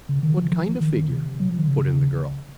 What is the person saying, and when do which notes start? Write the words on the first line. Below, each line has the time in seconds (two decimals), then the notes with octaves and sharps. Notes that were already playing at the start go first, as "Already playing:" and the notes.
"What kind of figure?" put in the girl.
0.09 C#3
0.23 D#3
0.37 F3
0.52 F3
0.67 F3
0.80 D#3
0.96 D#3
1.10 C3
1.40 F#3
1.49 F3
1.58 D#3
1.67 C#3